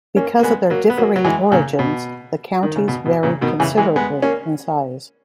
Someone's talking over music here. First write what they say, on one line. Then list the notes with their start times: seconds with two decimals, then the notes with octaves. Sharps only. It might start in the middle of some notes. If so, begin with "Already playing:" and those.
Because of their differing origins the counties varied considerably in size.
0.16 A#3 C#4
0.39 A#3
0.43 G#3 B3
0.70 F#3 A#3
0.90 B3
0.98 F#3 A#3
1.16 F#3
1.24 E3 G#3
1.52 A#2 C#3
1.79 B2
2.63 D#3
2.76 C#3
2.88 B2
3.06 B2
3.23 A#2 C#3
3.41 B2 D#3
3.60 C#3 E3
3.77 E3 G#3
3.96 G#3 B3
4.22 A#3 C#4